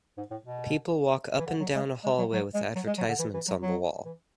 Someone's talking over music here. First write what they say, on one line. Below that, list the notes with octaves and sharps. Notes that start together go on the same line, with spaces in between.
People walk up and down a hallway with advertisements on the wall.
G#2
A2
B2
E3
D3
F#3
G#3
G#3
F#3
F#3
G#3
F#3
G#3
F#3
D3
E3
E3
F#3
F#3
E3